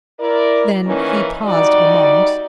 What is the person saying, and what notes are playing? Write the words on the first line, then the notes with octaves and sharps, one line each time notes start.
Then he paused a moment.
E4 A#4 D5
D#3 E3 A#3 C#4
G3 D#4 F#4 D5